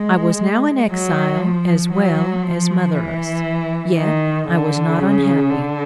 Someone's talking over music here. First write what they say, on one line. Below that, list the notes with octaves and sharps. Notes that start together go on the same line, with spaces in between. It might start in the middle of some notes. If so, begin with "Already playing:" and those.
I was now an exile as well as motherless; yet I was not unhappy.
Already playing: G#3
F#3
F3
F#3
F3
E3
D#3
D3
C#3
D3